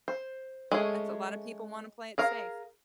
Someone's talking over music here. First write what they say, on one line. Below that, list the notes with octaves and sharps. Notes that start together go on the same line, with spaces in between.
That's a lot of people wanna play it safe.
C5
G#3 A3 C#4 G#4
G#4 A#4 F5